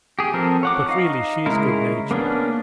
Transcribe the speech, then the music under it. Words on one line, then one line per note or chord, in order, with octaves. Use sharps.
But really she is good-natured.
G4 G#4
F3 C4 A4 A#4
C#5 F#5 D6
D#4 F5
C#3 G#3 E4 A#4
A#3 B3 C#4 D4